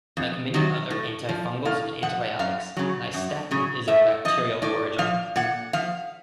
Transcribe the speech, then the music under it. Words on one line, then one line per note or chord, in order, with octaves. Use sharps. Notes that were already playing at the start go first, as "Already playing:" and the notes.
Like many other antifungals and antibiotics, nystatin is of bacterial origin.
F2
C3 D#3 F#3
A2
F3
A2 F5
F3 F#5
F#2 F5
C#3 F#3
F#2
C#3 F#3
A2 E5
F3 D#5
A2 D5
F3 F5
A#2 F#5
F3 F5